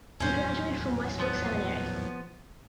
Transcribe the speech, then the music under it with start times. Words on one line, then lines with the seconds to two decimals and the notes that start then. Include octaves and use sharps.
He graduated from Westbrook Seminary.
0.20 D#2 A2 F#3 C#4 C5
1.20 F3 B3